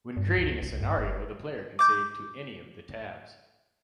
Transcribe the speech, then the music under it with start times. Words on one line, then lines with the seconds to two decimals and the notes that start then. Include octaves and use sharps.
When creating a scenario, the player can save to any of the tabs.
0.17 G2
0.37 C#2
0.63 C2
0.81 G2
0.97 F#1
1.79 D6 G6